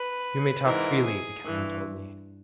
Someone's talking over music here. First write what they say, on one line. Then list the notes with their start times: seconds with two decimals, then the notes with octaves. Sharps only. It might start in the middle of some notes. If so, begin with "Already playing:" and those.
"You may talk freely," the captain told me.
Already playing: B4
0.64 G#2 E3 A#4
1.05 G#4
1.45 G2 E3